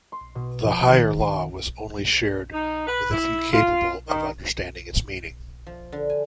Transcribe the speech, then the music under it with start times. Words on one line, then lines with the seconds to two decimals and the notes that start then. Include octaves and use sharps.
The higher law was only shared with a few capable of understanding its meaning.
0.12 C6
0.35 B2
0.65 F3
0.89 D#3
1.20 C7
2.52 D#4
2.87 B4
3.11 E4
3.53 F4
4.07 D#3
5.67 F3
5.92 D3
6.10 G#5